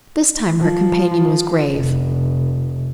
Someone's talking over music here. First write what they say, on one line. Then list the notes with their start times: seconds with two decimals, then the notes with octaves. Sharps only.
This time her companion was grave.
0.59 F3
1.75 F1